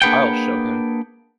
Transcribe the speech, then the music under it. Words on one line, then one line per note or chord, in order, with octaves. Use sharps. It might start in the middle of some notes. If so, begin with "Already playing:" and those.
I’ll show him.
A#3 D4 G#4 B4 F#5 G5